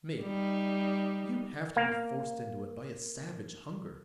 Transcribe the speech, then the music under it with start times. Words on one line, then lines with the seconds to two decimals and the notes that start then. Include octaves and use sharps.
ME: You have to be forced into it by a savage hunger.
0.21 G3 D#4
1.76 A#3 F5